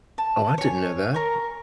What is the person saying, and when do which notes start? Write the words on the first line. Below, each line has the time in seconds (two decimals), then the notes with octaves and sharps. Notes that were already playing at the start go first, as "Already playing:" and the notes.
Oh, I didn't know that.
0.18 A5
0.58 C#5 G#5
1.14 A#4 C#6